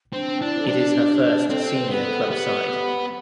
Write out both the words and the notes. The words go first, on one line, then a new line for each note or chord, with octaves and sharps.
It is her first senior club side.
C4 D4
D4 E4
A4
D4 G4
C4 A4
B4
B3
A4
B3 G4